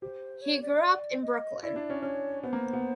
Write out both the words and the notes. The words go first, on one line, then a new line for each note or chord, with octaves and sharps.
He grew up in Brooklyn.
G4 C5
C#5
D5
D#5
D5
D#5
E4 D5
D4
C#4
C#4 C#5
B3 C5
A#3
B3